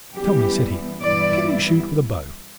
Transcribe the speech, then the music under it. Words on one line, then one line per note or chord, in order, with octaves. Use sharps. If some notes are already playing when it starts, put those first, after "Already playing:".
"Tell me," said he, "can you shoot with a bow?"
F#2 E3 G3 B3 G4
G2 E3 B3 E4 D5